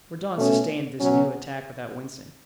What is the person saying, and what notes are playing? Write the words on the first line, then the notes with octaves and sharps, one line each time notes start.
Mordaunt sustained this new attack without wincing.
B2 A3 C#4
B2 F#3 C#4